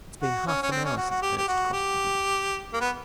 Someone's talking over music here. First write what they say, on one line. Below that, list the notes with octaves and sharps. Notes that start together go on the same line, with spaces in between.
"It's been half an hour since Ernst crossed the bridge."
F#4
C#4
C#4
C4
C#4
F#4
F#4
G4
G4
F#4
G4
A#3
B3